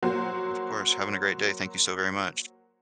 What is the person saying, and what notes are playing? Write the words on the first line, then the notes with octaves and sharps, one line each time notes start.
Of course having a great day thank you so very much.
F#3 A#3 F#4 C5